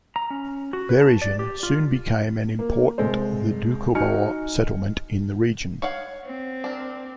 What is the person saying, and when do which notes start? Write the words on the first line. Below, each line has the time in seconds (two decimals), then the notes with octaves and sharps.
Veregin soon became an important the Doukhobor settlement in the region.
0.16 A#5
0.30 C#4
0.73 F#4
0.89 B4
1.01 A5
1.22 D5
1.39 G4
1.63 F4
2.59 A#3
2.98 C2 G#3 A4 C5
3.95 D#4 F#4 G#5 F6 C#7
5.82 C#5 F5 F#5
6.25 C4
6.64 D4 A#4